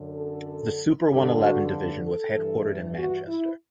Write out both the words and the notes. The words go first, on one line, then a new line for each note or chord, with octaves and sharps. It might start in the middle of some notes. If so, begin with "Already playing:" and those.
The Super One-Eleven division was headquartered in Manchester.
Already playing: F#2 D3
A4
G2 D3 G4
F#4
A4
G2 E3
F#4
E4